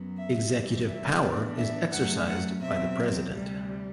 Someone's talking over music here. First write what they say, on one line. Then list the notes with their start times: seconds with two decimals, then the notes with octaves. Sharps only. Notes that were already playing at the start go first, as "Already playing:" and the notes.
Executive power is exercised by the president.
Already playing: F#2 F#3 B3
0.17 E5
0.52 C3 E3 G3 C4
0.87 E5
1.21 A2 E3 B3 D4 D5
1.57 E5
1.92 F#2 F#3 A3 F#5
2.27 F#5
2.62 B2 F#3 C4 E5
3.31 D2 C3 G3